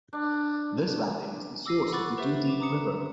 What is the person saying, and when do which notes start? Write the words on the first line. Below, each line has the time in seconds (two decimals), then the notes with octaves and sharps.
This valley is the source of Dudhi River.
0.13 D4
1.66 D6 E6 A#6 C7 D#7
1.92 F#5 B5 C#6 D6 F#6 A6
2.18 G4 B4 C5 E5
2.45 D6 E7 F7
2.60 A#5 D6 D#6 C#7 E7